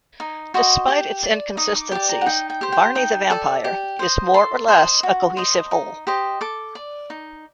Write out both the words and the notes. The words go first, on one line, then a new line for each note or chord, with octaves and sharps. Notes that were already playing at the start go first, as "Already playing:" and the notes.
Despite its inconsistencies, "Varney the Vampire" is more or less a cohesive whole.
D#4
F#4 C5 D#5
G4
D5
D#4 D#6
D6
G4 D5 D6
A#5
F#5
D#4 G5
G5
G4 C5
G5
D#4 G5
A4 D5
G4
C5 D#5
A4 C6
C5 D#5
F#4
C5 D#5
D#4
G4 C5 D#5
A4 D6
D5
D#4